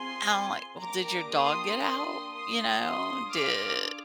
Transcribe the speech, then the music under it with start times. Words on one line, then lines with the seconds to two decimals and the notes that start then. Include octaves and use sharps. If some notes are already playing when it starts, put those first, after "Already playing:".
I'm, like, "Well, did your dog get out? You know, did
Already playing: C4 F4 G#4 G#5 C6
0.82 A#3 D4 G4 A#5 D6
1.32 C6 D#6
1.82 C6 D#6
2.32 C6 D#6
2.83 D4 F4 G#4 C6 D#6
3.33 D6 F6